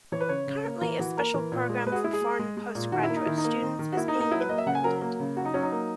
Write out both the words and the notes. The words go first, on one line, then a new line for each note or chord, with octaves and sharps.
Currently a special program for foreign postgraduate students is being implemented.
E3 C#5
B4
C#3 C#5
C#3
A#3
E3 A#4
E3 F#4
A#3 A#4
E3
A#2
G#3
G#3 B4
F#4
G#4
G#3 E4
G#4
G#3
G#3
G#3
A#2
D#3 F#4
E4
A#3
D#4
D#3 E4
D#4
A#3
D#3
D#3
F#4
A#3 E4
D#4
A#3
D#4
F#3 E4
B4
A#3 D#5
E5
C#3 F#5
G#5
F#3 A#4
A#3
C#3
F#3 F#4
D#4
F#3 C#4
D#4
A#3